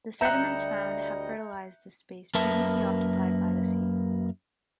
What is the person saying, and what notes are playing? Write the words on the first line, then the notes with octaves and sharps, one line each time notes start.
The sediments found have fertilized this space previously occupied by the sea.
D2 G3 D#5 E5 A#5 F#6 G6 C#7
F#2 A#3 A#4 B4 E5 A5